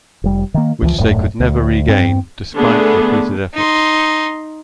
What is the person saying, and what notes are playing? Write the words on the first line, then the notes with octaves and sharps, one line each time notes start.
Which they could never regain despite repeated efforts.
F1 G3
D#3 A#3
C#2 E3 F3
D#1 F#2 A2
D2
G2 C4
D3 A3 B3 D4 G#4
D#4 C6